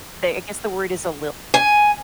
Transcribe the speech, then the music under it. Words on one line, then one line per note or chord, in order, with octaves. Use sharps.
They I guess the word is a lilt.
G#5